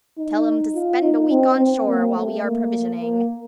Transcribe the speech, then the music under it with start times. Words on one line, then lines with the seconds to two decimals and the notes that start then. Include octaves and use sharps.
Tell them to spend a week on shore while we are provisioning.
0.18 D#4
0.75 F4
1.02 D#4
1.31 C4
1.59 C4
1.87 A#3
2.15 A3
2.43 A#3
3.00 A#3